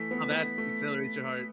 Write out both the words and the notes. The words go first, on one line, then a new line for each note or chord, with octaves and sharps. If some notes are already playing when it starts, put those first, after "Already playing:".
how that accelerates your heart.
Already playing: E3 A3 B6
B3
B3
A3